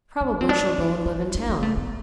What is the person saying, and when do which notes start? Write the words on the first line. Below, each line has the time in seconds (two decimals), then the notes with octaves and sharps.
Probably she'll go and live in town.
0.21 D4
0.41 C4
0.49 D4
0.78 E4
1.06 E4
1.35 D4
1.49 B3
1.63 A3
1.77 B3